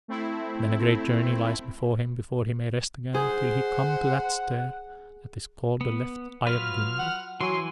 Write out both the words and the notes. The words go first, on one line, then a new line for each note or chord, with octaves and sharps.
Then a great journey lies before him before he may rest again till he come to that star that is called the left eye of Gundo.
A3 C4 E4
G#4 C5 F#5
B3
F#3 F4 B4 F6
F#5
E3 F#3 G#5 C6